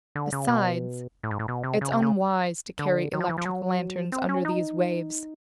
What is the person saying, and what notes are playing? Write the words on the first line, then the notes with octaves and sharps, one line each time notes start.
Besides, it's unwise to carry electric lanterns under these waves.
D3
C#3
B2
A2
G#2
A2
B2
C3
C#3
C3
C#3
D3
D#3
F3
E3
F3
F#3
C4
C#4
D#4